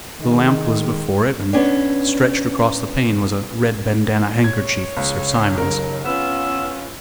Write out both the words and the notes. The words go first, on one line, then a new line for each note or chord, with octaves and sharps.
The lamp was before it, and stretched across the pane was a red bandanna handkerchief of Sir Simon's.
D#3 G#3
E2 B3 C#4 D4
C#5 G#6
C#2
F#1 D#2 F#3 A#4
B3 C#4 F4 B4 E6